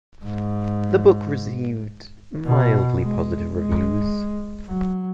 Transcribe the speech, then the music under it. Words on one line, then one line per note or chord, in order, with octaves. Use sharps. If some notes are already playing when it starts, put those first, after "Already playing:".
The book received mildly positive reviews.
G#2
B2
G#3
G#3
F#3